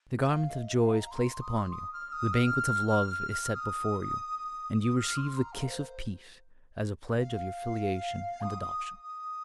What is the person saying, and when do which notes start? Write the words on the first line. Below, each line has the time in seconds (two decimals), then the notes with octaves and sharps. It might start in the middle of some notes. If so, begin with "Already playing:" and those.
The garment of joy is placed upon you, the banquet of love is set before you, and you receive the kiss of peace as a pledge of your filiation and adoption.
0.20 F5
0.51 D#5
0.71 F5
0.91 A#5
1.11 C6
1.27 C6
1.42 D#6
1.57 C6
1.72 D#6
1.93 F6
2.13 D#6
2.33 F6
3.44 F6
3.55 D#6
4.76 D#6
4.97 F6
5.17 C6
5.37 A#5
5.53 F5
5.61 A#4
5.67 C5
7.20 F5
8.42 D#6
8.62 D#6
9.02 D#6